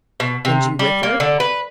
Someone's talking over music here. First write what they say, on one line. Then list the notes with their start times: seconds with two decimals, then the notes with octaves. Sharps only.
"And you with her?"
0.20 B2
0.45 C3
0.79 G3
1.03 A#3
1.20 D3
1.40 B4